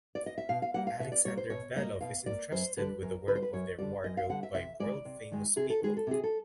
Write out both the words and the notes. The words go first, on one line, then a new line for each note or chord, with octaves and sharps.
Alexander Belov is entrusted with the work of their wardrobe by world famous people.
D5
D#5
E5
B2 F5
F5
G3 A#3 F#5
F5
B2 E5
D5
G3 A#3 C#5
C5
B2 C#5
G3 A#3 D#5
B2 F5
G3 A#3 D5
F#2 C5
D3 G3 B4
F#2 A#4
D3 G3 B4 C5
B4
F#2 C#5
D3 G3 D5
F#2 D#5
F5
D3 G3 F#5
E5
C3 E5
G#3 D5
D#3
C3
D#3 G#3
C3 G#4
A4
D#3 G#3 G#4
A4
C3 G#4
A4